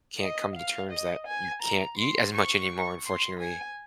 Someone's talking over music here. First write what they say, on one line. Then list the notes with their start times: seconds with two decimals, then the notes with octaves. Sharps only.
can't come to terms that you can't eat as much anymore, unfortunately.
0.19 D#5
0.56 F5
0.91 D#5
1.27 G#5
1.63 A#5
1.98 C6
2.34 C#6
3.05 C6
3.40 G#5